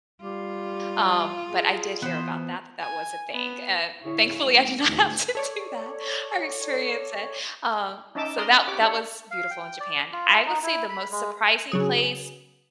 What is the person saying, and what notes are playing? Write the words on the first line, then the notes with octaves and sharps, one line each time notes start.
Um, but I did hear about that, that that was a thing. Uh, thankfully, I did not have to do that or experience it, um, so that that was beautiful in Japan. I would say the most surprising place
G3 F4
G#4
E3 B3 C5
G#5
B3
D3 E4 G#4 C#5 F5
D#2 G#3
D2 G#2 E3 A3 D#4 G#4
A4 C#5 D5
C#4 D#4 D#5 E5 A5 D6
A#4 D5 A#5 C6 D#6
G4 C#5 D6
D4 A4 C#5
F5
G5
D5
F4
D#4
E4
B5
G#3
C#3 F#3 G#4